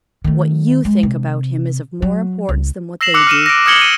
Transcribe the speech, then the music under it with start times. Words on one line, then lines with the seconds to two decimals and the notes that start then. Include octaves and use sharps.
What you think about him is of more importance than what they do.
0.24 D#3 A3
0.85 G#3
1.03 C3
2.02 F#3
2.49 C#2
3.01 E6 A#6 C7 E7 F#7
3.14 D6 E6 F#6 C#7
3.27 F6 D#7 E7
3.46 A#6 D7
3.66 D#6 F6 G#6 C#7 F#7 G7
3.81 D#7